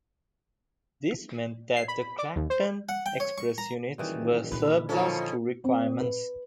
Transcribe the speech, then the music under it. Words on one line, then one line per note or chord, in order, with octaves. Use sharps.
This meant that the "Clacton Express" units were surplus to requirements.
C7
B5
D5
D#2
C5
F#5
G5
C#5
C#6
A#5
F#1 D#3 E3 G3
A#2 D3 B4
B2 D#3 F3 C#4 A4
C4
B4